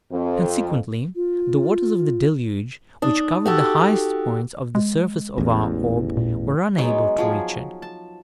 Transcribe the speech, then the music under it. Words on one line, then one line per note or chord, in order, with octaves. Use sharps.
Consequently, the waters of the Deluge, which covered the highest points of the surface of our orb, were unable to reach it.
F2
F4
D4 D#4 D#6
F#4 G4 A4
G#3
A1 E2
A#2
F#3 G#3 B3 D#4
F3 F#3 G#4
A5